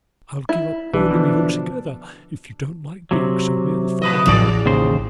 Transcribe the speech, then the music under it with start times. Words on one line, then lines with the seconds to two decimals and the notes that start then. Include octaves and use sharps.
I'll give up Oileymead altogether, if you don't like being so near the farm-yard.
0.49 E4
0.94 B1 E3 D4
1.11 B2 D3 F3
3.11 C3 F#3
4.02 A2 B4 D#5
4.27 A1 E3 G#4 D5
4.66 D#2 C#3 C5